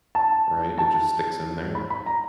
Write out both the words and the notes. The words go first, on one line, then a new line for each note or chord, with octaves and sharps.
right? It just sticks in there?
A5
A5
B5
B5
A#5